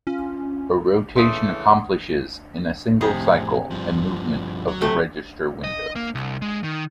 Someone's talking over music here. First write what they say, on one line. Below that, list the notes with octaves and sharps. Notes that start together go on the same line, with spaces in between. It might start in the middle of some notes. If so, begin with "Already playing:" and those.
A rotation accomplishes in a single cycle a movement of the register window.
C#4 F4
C#3 E3 A3 C6 D#6
F2 A2 C3 G#4
G2 F3
F#3
C3 A3
D#5
A#3
C2
G#3
D#3